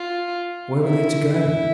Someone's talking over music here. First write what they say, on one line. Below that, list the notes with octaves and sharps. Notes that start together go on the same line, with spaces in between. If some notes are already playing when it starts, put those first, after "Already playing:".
Where were they to go?
Already playing: F4
E4
E4